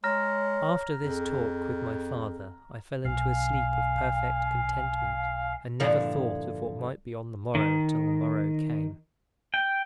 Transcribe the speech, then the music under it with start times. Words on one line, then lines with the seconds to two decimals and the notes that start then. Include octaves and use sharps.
After this talk with my father I fell into a sleep of perfect contentment, and never thought of what might be on the morrow till the morrow came.
0.04 G#3 C#5 A#5 F6 A#6
1.03 F2 G#4
3.05 B1 F5 G#5
5.80 G2 A#2 D3 F3 E4
7.55 D#3
9.54 G5